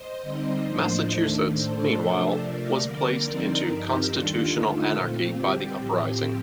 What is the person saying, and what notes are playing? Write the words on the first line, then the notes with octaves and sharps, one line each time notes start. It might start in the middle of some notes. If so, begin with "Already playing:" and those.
Massachusetts, meanwhile, was placed into constitutional anarchy by the uprising.
Already playing: C5 D#5
D3 G3 C4 D#4
A2 F3 A#3 D4
D#2 D#3 A3 D4
A2 A3 D4 A4 C5
C3 F3 A3 D4
C3 F3 A3 A#4 D5
D3 G3 A#3
D3 F3 C4 D#4 A#4 D5
G2 F3 C4 D#4 G4 A#4
D#2 D#3 G3 D4 F4 A4
D3 A3 D#4 F4
A#2 A3 C4
D3 G3 C4 G4
A2 F3 C4